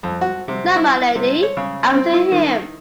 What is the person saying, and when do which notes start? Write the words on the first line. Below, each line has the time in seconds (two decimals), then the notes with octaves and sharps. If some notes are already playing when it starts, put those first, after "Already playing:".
No, my Lady, I've seen him!
0.03 F2
0.21 F#4
0.48 C3
0.76 E4
1.15 C3
1.43 C#5
1.57 C#3
1.93 C4
2.13 E4
2.32 D#3